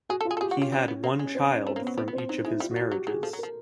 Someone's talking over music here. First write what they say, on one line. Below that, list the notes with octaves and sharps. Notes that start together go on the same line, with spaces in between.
He had one child from each of his marriages.
F#4 G#4
A4
F4
G#4
A4
G4 G#4
F#4
C#4
F4
C4
B3
A#3
G#3 C#4
C4
C#4
A3 C4
A#3
B3
F#3
G3 C4
B3
C4
F3
F#3 D#4
G#3 E4
G3 F4
F#4
F#3
F#4
F#3 G4
F#3 G#4
F3 A4
F#3
A#4
F3